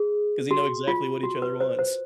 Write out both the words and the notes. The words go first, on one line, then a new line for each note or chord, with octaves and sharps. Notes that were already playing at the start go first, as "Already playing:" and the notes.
'cause you know exactly what each other wants.
Already playing: G#4
F#4
F4
F#4
B4
C5
C5